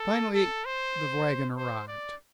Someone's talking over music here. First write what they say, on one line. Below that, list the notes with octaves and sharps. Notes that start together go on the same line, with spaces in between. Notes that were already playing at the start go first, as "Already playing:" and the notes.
Finally the wagon arrived.
Already playing: A4
A4
C5
C5
D5